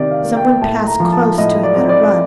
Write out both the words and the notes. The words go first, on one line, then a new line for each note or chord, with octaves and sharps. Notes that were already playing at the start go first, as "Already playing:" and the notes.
Some one passed close to him at a run.
Already playing: C3 D#3 D5
F5
A#3
G5
A2 A5
A#5
F3
A5
A2 D#5
D5
C4
D5